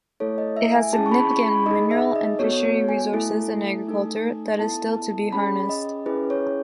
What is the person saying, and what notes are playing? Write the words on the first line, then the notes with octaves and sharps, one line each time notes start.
It has significant mineral and fishery resources and agriculture that is still to be harnessed.
A3 E4 A4 C#5
D#5
E5
G#5
C#4 E4 G#4 A5
C#6
B5
C#6
B5
D#4 G#4 D#5
E5
D#5
B3 F#4 A4 C#5
C#5
G#5
A3 E4 A4
A3 D#4 A4
B3 E4 A4 A5
C#4 G#4 B5
D#5
C#4 E4 G#4 B4
C#5